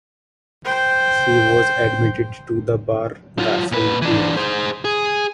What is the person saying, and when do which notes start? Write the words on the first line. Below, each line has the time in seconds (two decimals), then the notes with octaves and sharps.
She was admitted to the bar the same year.
0.65 C5 G5
3.39 F#3 F4
3.72 A#2 B4
4.02 E3 D4
4.37 G#4 C5
4.85 G#4